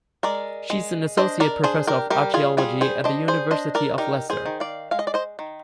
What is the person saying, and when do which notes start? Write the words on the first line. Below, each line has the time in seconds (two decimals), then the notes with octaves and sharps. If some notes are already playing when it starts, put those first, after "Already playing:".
She is an Associate Professor of Archaeology at the University of Leicester.
0.23 G#3 A#4 D5
0.70 G#3
1.17 D4 C5 D#5
1.40 A#4 D5
1.64 D4 G#4 C5
1.87 G4 A#4
2.10 G3 G4 A#4
2.34 F4 G#4
2.57 G3 F4 G#4
2.81 G#4 C5
3.04 D4 C5 D#5
3.28 G#4 C5
3.51 D4 C5 D#5
3.75 A#4 D5
3.98 D#4 G4 A#4
4.30 G#4 C5
4.46 D#3
4.60 D5 F5
4.91 G#3 F5
4.99 D#5
5.07 D5
5.14 C5 D#5
5.39 D#3